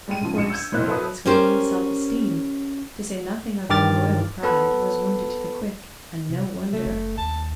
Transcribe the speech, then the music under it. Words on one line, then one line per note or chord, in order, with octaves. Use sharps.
Of course, Mary's womanly self-esteem, to say nothing of her royal pride, was wounded to the quick, and no wonder.
G3 G#3 G5 D#7
C#3 F3
A#1 C#7 E7
E6 G6 G#6
F1 A#2 E4 C5 D#5 F#6
A4 B4 E5 A5 D#6
C#4 G4 A#4 C5
G2 D#3 G4 D6 F6 A6
B3 A4 B4
C3
F#3
C#3 A3
F#1
D#2 A5